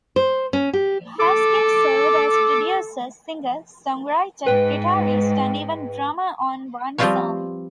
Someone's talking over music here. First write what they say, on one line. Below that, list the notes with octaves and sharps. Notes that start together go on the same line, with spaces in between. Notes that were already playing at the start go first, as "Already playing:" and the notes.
Haskins served as producer, singer, songwriter, guitarist and even drummer on one song.
C5
C#4
G4
A4 D6
G#2 B4 G5
F3 G3 C4 F4 B4 C#5